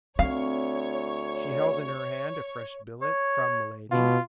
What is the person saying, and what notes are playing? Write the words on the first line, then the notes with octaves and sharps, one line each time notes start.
She held in her hand a fresh billet from Milady.
D2 C4 C#5 F5
C#5
B2 F4